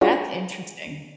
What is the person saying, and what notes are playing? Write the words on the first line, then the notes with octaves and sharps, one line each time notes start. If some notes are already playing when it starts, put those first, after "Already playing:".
That's interesting.
C#4 D4 F4 F#4 G#4 D5